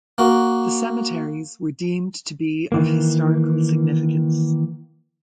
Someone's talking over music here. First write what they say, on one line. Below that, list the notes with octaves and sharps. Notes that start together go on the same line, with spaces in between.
The cemeteries were deemed to be of historical significance.
A#3 F#4
D#3 E3 A#3